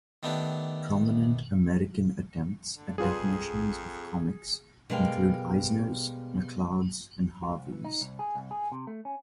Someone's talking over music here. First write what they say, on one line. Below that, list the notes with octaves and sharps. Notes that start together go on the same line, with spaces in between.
Prominent American attempts at definitions of comics include Eisner's, McCloud's, and Harvey's.
D#3 A3 B3 D4 G4
D3
F2 G3 F4 G#4 B4
B2 G3 G#3 A#4 F5 G5
F4
C2
E3
D#4
C2
G#4
C2
G#4
C3
A3
C#4